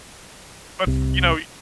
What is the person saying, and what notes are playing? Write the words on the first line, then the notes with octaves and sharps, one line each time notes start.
but f you know, y
C2 C3